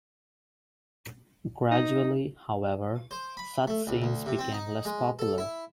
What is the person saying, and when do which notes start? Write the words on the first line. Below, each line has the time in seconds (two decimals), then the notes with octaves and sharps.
Gradually, however, such scenes became less popular.
1.71 D#4
3.11 C5
3.37 B5
3.67 A3
3.87 C#2
4.02 D2
4.26 C3
4.39 C4
4.52 D#4
4.85 G#3
5.19 A4
5.38 E4